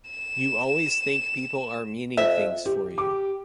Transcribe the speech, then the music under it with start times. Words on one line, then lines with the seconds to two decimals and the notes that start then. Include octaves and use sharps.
You always think people are meaning things for you.
0.10 E7
2.17 F2 E5
2.66 G4
2.98 G4 D6